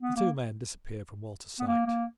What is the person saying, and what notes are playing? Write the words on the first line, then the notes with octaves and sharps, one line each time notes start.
The two men disappeared from Walter's sight.
B3
A#3
B3
A#3
A#3